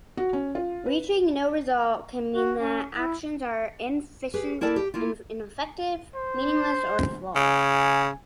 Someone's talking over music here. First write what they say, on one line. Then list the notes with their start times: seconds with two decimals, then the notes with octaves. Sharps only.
Reaching no result can mean that actions are inefficient, ineffective, meaningless or flawed.
0.17 F#4
0.33 C#4
0.55 F4
0.86 B4
2.35 F#4
2.59 C#4
2.95 E4
4.34 G4 G#4 B4
4.61 A#3 E4 A4 A#4 D5 A5
4.76 G4
4.94 A#3 E4 F4
6.16 C5
7.36 C#3 G#5